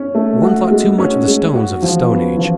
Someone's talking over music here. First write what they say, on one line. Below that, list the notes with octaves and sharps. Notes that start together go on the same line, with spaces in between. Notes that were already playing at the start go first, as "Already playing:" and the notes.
One thought too much of the stones of the Stone Age.
Already playing: C#4
A3
F#4
G#3
C#4
G#3
F#4
F3
B3
F3